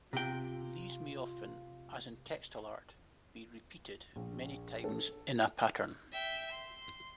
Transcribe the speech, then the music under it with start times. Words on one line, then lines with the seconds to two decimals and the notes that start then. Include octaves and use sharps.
These may often, as in textile art, be repeated many times in a pattern.
0.13 C3 F4 G5
4.16 A#1
4.84 A4
6.12 E5 G5
6.51 C6